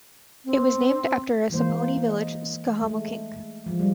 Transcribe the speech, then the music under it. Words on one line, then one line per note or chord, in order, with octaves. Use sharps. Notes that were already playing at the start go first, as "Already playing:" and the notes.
It was named after a Saponi village, Schahamokink.
C4
E3 G#3 A#3 C5
D#5
G#3 A3
F3 G#3
G3